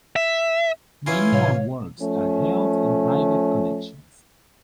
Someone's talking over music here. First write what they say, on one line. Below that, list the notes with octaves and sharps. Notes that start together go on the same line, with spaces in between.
Many more works are held in private collections.
E5
E3 C#4 E4 F4 G#5 C6
A2 C3 C#5 F5
F3 A3 C#4